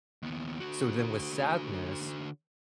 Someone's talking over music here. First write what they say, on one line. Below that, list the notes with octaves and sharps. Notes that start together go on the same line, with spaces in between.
so then with sadness,
D#2 B3
D3 F#4